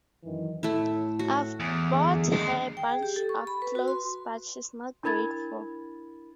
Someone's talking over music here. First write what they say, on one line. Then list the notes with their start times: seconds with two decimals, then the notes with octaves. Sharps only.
'I've bought her a bunch of clothes, but she's not grateful.
0.23 F#2 D#3 E3
0.63 A2 A3 E4
1.19 F#4
1.60 E2
1.90 F#2 D3 G#4
2.32 D#2 G#3
2.77 G5
2.90 G#4
3.03 G4
3.16 A4
3.29 C#6
3.47 B5
3.62 B4
3.75 F#4
3.88 C6
5.04 D4 E4 A#4 B5 G#6 A6